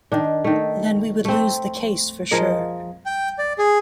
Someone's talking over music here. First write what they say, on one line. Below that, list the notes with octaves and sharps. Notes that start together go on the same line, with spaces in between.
Then we would lose the case for sure.
D#3 D4
D#3 A3
A3 C4
F3 G#4 A#4 D#5
G5
D5
G#4